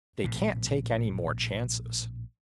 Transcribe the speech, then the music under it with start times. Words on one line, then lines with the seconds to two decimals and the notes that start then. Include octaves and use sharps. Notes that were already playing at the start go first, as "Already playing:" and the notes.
They can't take any more chances.
0.24 A#1 A2 C3